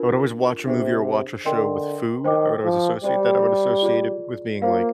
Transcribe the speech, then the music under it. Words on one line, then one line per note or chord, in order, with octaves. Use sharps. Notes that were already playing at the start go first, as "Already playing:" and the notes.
I would always watch a movie or watch a show with food. I would always associate that. I would associate it with being like
Already playing: D4 F4 A#4
C3 D4 G#4 C5
D3 A#4 D#5 G5 C6
D#3 C5 G5 D6
F3
G3 G4 C5 G5
F4 G#4 D5
A#3 F4 C5 F5